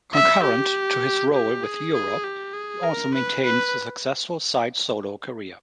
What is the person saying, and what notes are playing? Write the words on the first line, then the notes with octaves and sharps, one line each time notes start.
Concurrent to his role with Europe, he also maintains a successful side solo career.
E5
G4
G4
G#4
G#4
G4
G#4
A#4
B4
B4